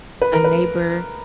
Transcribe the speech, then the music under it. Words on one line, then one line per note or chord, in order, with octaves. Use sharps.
a neighbor.
B4
A#4
B4